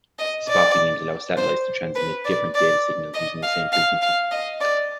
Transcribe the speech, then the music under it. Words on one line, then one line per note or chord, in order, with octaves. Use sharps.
Spot beams allow satellites to transmit different data signals using the same frequency.
D#5
D5
C5
B4
D5
D5
D#5
F5
F5
F5
D#5
D5